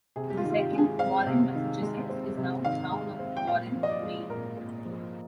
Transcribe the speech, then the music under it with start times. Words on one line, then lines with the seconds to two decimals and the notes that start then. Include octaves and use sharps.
The second "Warren, Massachusetts" is now the town of Warren, Maine.
0.16 C3 G#4
0.30 G4
0.37 F4
0.44 D#3
0.51 F4
0.58 G4
0.71 G#3
0.78 G#4
0.99 C4 F5
1.27 C3
1.55 D#3
1.82 G#3
2.09 C4
2.37 C3
2.65 D#3 F5
2.92 G#3
3.19 C4
3.37 G5
3.47 A#2 F5
3.76 F3
3.83 D#5
3.89 D5
4.03 G#3
4.30 A#2 A#4
4.57 A#2
4.85 F3